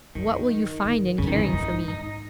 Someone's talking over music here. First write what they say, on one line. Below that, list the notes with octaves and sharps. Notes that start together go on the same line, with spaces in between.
What will you find in caring for me?'
F#2 D#3
G#2
F#2 C#3
D#3
E2
E3
F#2
D#4
G#2
D#4